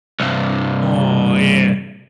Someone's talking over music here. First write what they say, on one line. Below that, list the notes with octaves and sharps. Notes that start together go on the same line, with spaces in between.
Aw, yeah.
C2 G2